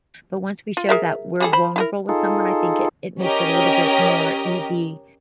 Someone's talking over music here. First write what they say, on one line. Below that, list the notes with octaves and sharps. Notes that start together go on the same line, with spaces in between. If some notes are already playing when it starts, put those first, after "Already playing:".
but once we show that we're vulnerable with someone, I think it it makes it a little bit more easy
F4
G#4 A#4 E5
G3 G#4 A4
C5 B5
E4 G#4 A#4
D#4 F4 G#4 A4
C#4 G4 A#4 D#5